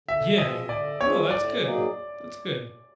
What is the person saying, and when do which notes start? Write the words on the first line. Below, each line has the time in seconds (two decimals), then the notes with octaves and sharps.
Yeah, yeah. No, that's good, that's good.
0.08 D3 E5
0.38 F3 G#3 C4 D#5
0.69 D3 D5
1.00 F3 G#3 C4 C#5
1.31 A2 D5
1.61 F#3 A#3 D#4 G#4